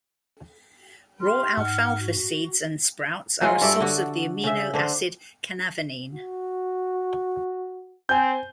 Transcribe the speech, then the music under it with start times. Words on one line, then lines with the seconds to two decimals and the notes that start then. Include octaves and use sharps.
Raw alfalfa seeds and sprouts are a source of the amino acid canavanine.
1.20 G4 C6 F6
1.57 G#2 F#5 F6
1.98 F#4
3.41 F#3 G#3 F4
3.61 G2 A4 D5 E5
3.80 D3 F#4
4.44 C#3 E5
4.74 D3 D4 C5
6.13 F#4
8.09 C4 G#5 G6